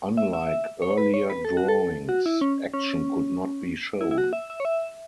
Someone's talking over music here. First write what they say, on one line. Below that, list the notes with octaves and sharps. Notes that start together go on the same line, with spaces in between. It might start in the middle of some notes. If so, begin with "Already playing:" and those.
Unlike earlier drawings, action could not be shown.
E5
E5
C#5
B4
C#5
B4
A4
F#4
A4
F#4
E4
C#4
C#4
E4
E4
F#4
E5
E5
C#5
E5